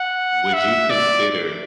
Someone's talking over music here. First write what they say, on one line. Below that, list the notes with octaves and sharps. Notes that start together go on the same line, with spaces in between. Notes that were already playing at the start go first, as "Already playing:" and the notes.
would you consider
Already playing: F#5
E5
D5